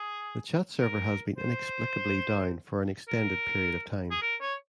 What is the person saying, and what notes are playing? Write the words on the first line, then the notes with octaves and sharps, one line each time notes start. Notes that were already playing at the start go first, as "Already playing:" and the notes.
The chat server has been inexplicably down for an extended period of time.
Already playing: G#4
A#4
C5
A#4
G#4
A#4
C#5